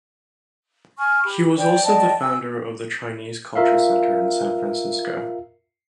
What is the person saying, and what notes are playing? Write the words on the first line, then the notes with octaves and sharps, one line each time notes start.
He was also the founder of the Chinese Culture Center in San Francisco.
G#5 C#6 F6
G4 B5
C5 D5 G5
D5 D#5 G5 A5
G#5 E6
F4 A#4 E5 F5